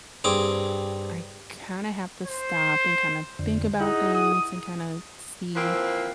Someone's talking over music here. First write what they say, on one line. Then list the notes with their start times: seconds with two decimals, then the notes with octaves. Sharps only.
I kinda have to stop and kinda think about things and kinda see,
0.24 G2 C4 G#4 D6
2.27 C5
3.39 F2 D3
3.80 D#4 E4 G#4 F#5
4.14 D#6
5.55 E3 F3 A#3 C4